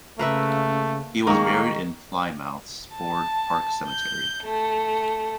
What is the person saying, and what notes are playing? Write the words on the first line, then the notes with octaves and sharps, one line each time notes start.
He was buried in Plymouth's Ford Park Cemetery.
C#3 A3 A#3 B4 E5
D#3 G#3 A#3 A#5 C#6
A5
G6
A3